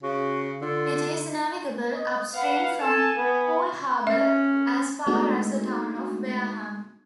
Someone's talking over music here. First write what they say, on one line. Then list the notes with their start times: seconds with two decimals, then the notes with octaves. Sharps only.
It is navigable upstream from Poole Harbour as far as the town of Wareham.
0.03 C#3 F#4
0.62 D3 F4
1.92 D#5
2.34 B4 F5 F#5
2.81 A4 G#5 A5
3.16 B3 B4
4.07 C#4 E5
5.07 G#3 A3 B3 D4 D#4 F#4